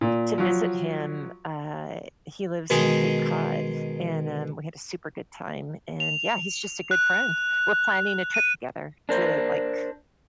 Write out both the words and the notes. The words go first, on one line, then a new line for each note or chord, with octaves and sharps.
to visit him, uh, he lives in Cape Cod, and, um, we had a super good time, and, yeah, he's just a good friend. We're planning a trip together to like,
A#2
F3 F#3
B2 D#3 G#3 D#4 G#4
F7
F#6
D#7
D4 A#4 C5